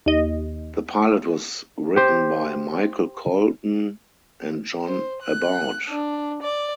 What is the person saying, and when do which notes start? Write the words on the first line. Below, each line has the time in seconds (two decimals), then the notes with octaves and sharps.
The pilot was written by Michael Colton and John Aboud.
0.06 D#2 D#5
1.96 G4 C5
4.85 C5
5.22 F#6
5.88 D4
6.40 D5